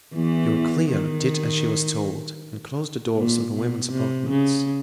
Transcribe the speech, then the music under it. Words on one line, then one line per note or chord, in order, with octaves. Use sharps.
Euryclea did as she was told and closed the doors of the women's apartments.
E2 E3
D#3
A#2
B2
C3
C#3